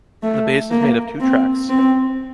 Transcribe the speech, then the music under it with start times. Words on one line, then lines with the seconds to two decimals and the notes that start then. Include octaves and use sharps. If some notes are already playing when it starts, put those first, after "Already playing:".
The base is made of two tracks.
0.23 A3
0.71 A#3
1.20 C4
1.69 C4